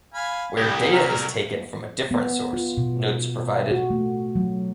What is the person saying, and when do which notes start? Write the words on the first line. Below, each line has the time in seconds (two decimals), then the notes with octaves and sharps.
Where data is taken from a different source, notes are provided.
0.14 F5 G#5 B5
0.57 C2 G3 E4 D#6
0.92 F#3 A#5 F6
2.11 B3
2.53 F4
2.77 B2
3.71 F#4
3.90 A3
4.36 F#3